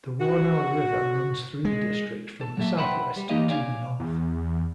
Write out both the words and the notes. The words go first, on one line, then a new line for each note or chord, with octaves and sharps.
The Warnow river runs through the district from the southwest to the north.
F#4
G#3
A4
F#3 A#3 A4 E5
B4 C5 E5 F#5 G5 B5
G3
E3 A#3 D#4 G4 D#5 F5
C#5 D5 F5 F#5 G#5
E2